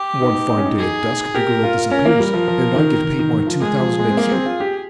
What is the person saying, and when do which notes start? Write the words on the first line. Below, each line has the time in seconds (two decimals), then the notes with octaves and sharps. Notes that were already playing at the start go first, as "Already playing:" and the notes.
One fine day at dusk the girl disappears, and I get paid my two thousand écus.
Already playing: G4
0.21 D#4
0.50 D#4
0.57 C#4
0.65 D#4
0.78 G#4
1.35 G4 A#4
1.63 F4
1.91 C#4 A#4
2.05 A#3
2.20 G3
2.34 F3
2.48 F3
2.76 D#3
3.04 D#3
3.19 D#3
3.33 D#3
3.47 F3
3.61 G#3 G#4
3.80 F3
3.99 G#3
4.10 C4
4.17 A#3
4.31 C4
4.46 F4
4.60 G4